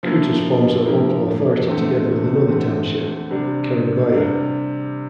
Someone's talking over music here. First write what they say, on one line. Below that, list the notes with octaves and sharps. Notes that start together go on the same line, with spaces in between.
Kutus forms a local authority together with another township, Kerugoya.
D3 F3 A#3 E4 A#4
D3 F3 A#3 E4 A#4
E2 D3 A3 C4
E2 D3 A3 C4
C3 G3 D4
C3 G3 D4